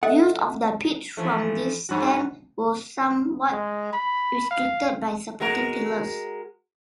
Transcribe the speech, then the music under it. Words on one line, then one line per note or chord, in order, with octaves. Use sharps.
Views of the pitch from this stand were somewhat restricted by supporting pillars.
A4 D#5 E5 F#5
E3 F3 A3
G2 F#4
G#3
B5
F5
G#3 F#4 A#4